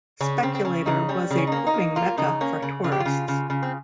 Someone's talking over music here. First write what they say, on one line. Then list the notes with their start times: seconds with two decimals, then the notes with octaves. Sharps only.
Speculator was a "booming Mecca" for tourists.
0.21 C#3 C#4
0.43 C#3 C4
0.55 C4
0.65 C#3 C#4
0.86 C#3 D#4
1.09 G3 C#4
1.31 C#3
1.38 C#4
1.47 D#4
1.52 A#3 C#4
1.67 D#4
1.74 A#3
1.96 A#3 F4
2.17 C#3 D#4
2.41 A#3 C#4
2.62 C#3
2.84 C#3 F4
2.92 G4
3.00 F4
3.05 C#3
3.28 C#3
3.50 C#3
3.63 C4